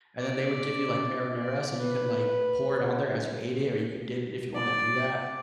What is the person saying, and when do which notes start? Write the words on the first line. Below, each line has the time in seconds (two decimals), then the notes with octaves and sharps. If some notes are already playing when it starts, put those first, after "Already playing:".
and then they would give you like marinara, so you can, like, pour it on there as you ate it, or you could dip it if you wanna do that,
0.18 D5
1.38 D5
1.77 B4
4.55 D5